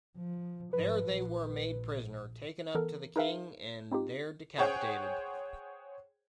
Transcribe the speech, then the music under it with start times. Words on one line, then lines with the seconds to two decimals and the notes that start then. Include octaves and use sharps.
There they were made prisoner, taken up to the king and there decapitated.
0.17 F3
0.73 G#2 F3 B4
1.08 A#1
2.75 E3 B3 A4 A#4
3.16 D#4 G#4 A#4 B4 E5 F5
3.92 C4 D#4 F4 G4
4.58 G#4 C5 C#5 F#5 G5